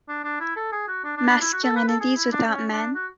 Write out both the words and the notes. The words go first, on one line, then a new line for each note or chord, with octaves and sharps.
Masculinities without Men?
D4
D4
E4
A4
G#4
F#4
D4
D4
D4
E4
F#4
A4
B4
A4
G#4
E4
D4
C#4
D4
F#4